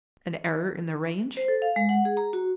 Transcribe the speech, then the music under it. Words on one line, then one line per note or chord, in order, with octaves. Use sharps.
An error in the range?
C5
A4
F5
G#3
F#5
G#4
A#5
F#4